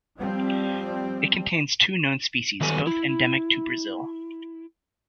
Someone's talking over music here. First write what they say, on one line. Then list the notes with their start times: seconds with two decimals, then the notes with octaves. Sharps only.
It contains two known species, both endemic to Brazil.
0.18 F3 G3 C4
2.61 D#3 F#3 G3 B3 A4 G#5
2.87 E4